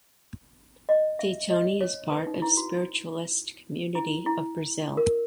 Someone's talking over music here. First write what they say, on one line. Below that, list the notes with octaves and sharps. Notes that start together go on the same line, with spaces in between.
De Toni is part of spiritualist community of Brazil.
D#5
E5
D#5
C#5
B4
D#4
E4
F#4
E4
E4
A#4